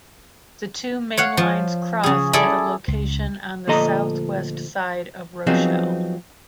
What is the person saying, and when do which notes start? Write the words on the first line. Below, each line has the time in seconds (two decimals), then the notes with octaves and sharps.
The two mainlines cross at a location on the southwest side of Rochelle.
1.17 C#5 F5 F#5
1.37 F3
2.03 C#3 G#4
2.33 E4 G#4 A4 D5
2.88 C#2
3.67 D2 A#2 F3 A4 D#5 A#5
5.47 F3 F#3 B3 C4 D#4 G#4